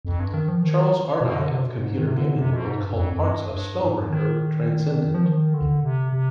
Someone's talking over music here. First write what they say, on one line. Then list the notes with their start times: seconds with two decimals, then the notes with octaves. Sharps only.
Charles Ardai of "Computer Gaming World" called parts of "Spellbreaker" "transcendent".
0.05 F2
0.20 G2
0.34 D#3
0.48 F3
0.63 D#3
1.21 B2
1.35 D3
1.50 C3
1.64 B2
1.78 G#2
1.98 D#3
2.07 C3
2.16 D3
2.37 C3
2.51 B2
2.65 G#2
2.80 G2
2.94 F2
3.13 F2
3.24 G2
3.52 G2
3.80 G#2
4.09 D#3
5.14 F3
5.25 D#3
5.54 D3
5.83 C3
6.13 C3